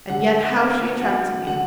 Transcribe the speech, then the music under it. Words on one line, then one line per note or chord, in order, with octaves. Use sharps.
And yet how she attracted me!
D3 F#5
F#5
A3
F#3 F#5
D3 F#5